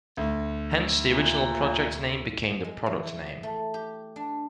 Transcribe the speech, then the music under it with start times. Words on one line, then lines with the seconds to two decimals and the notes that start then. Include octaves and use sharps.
Hence, the original project name became the product name.
0.17 D2
1.07 A#2
2.64 G#3
2.86 E3
3.43 A3
3.74 G4
4.16 D4